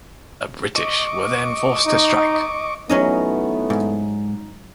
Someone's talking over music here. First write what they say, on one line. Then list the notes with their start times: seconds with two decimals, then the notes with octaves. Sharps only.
The British were then forced to strike.
0.76 D#5 C#6 D6
1.86 D#4
2.89 E3 F#3 A3 B3 C#4 D#4 D#5
3.70 G#2